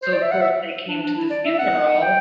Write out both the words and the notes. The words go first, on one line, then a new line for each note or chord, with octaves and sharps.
so of course they came to the funeral
C5
D5
E5
F#5
E5
D4
D4
E4
D5
E5
F#5
G5